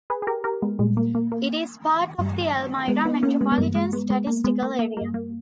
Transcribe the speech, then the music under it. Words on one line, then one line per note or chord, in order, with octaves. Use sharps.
It is part of the Elmira Metropolitan Statistical Area.
G#4 B4
G#4
G4 A#4
G4 A#4
G#3 B3
A#2 G3 G#3
A#3
A#3
A#3
G2 G3
G#3 B3
B3 D#4
A#3 C#4
G#3 B3
B3
G2 E3 G3 A#3
G#3
G#3 B3
G#3 B3
A#3
G#3 B3
A#3
A#3
G2 G3 A#3
A#3